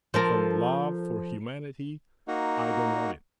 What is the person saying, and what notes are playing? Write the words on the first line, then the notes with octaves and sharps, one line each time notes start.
From love for humanity I don't want it.
F3 A4 A#4
A#3 D#4 F#4